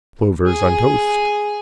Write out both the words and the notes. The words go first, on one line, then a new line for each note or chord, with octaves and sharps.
Plovers on toast.
G#4